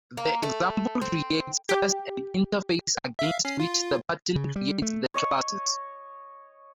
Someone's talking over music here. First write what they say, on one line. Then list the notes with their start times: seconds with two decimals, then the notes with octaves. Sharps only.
The example creates first an interface against which the pattern creates the classes.
0.17 A#3
0.43 A3
1.01 C4
1.69 G4
3.19 E5 F5
3.45 C#4 C7
3.60 F4
4.36 C#3
4.56 G3
4.82 A3
5.14 C#5 D#5 C#6